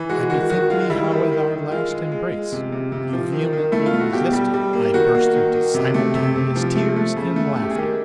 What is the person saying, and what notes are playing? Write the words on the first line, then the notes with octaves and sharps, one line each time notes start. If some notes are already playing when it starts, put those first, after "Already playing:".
I bethink me how at our last embrace, you vehemently resisting, I burst into simultaneous tears and laughter.
Already playing: E3
G#3 F#4
D#3 F#4
D#3 F#4
G#3 F4
G3 E4
D#3
D#3
D#3
G#3 F4
G#3
G#3
G#3
C3
C3
C3
F3
D#3
D#3
A3 E4
F4
A3
F#4
B2 G4
G3
G3
A#3
D#3 F#4
A#3
D#3
D#3
C3
A3
C3
C3
F3
A3
A3
C#3
A3
A3
G4
G#4
D#3 G4